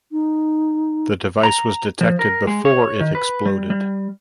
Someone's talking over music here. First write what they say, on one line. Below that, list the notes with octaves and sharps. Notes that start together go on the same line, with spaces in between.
The device was detected before it exploded.
D#4
A#5
F3
A#4
G#3
C#5
D#3
B4
G3
G3